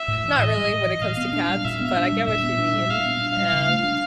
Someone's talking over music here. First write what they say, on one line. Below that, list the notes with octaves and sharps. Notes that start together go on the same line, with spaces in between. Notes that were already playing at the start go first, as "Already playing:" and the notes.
not really when it comes to cats, but I get what you mean, and
Already playing: E5
A2
E3
A2 D#5
G3
A2
E3
A#2 F5
B3
D4
G3
A#2 E5
B3
D4
G3
A#2 E5
B3
D4
G3
A#2 F5
B3
D4
G3
C#3
A3
D4